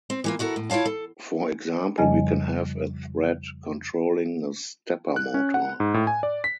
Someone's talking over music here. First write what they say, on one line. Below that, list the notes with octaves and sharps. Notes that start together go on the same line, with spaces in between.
For example, we can have a thread controlling a stepper motor.
C4
E3 A#3 F4
E4 F#4 A4 A#4
A2
E4 F4 C#5 F5 A5
A4
F2 C#3 F3 G3 D#5 G#5
F#6
C#4
F#5
G#2
A2
G#5
D5
B6